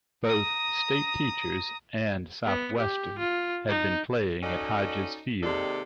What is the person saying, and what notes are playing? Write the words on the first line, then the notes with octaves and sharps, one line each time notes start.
Both State Teachers and Southwestern had been playing at Hodges Field.
A#5 D#6
B3
G4
F4
D#4
C#4 D#4 F#4 A4 D5 D#5
D#2 C3 G#3 A4 D5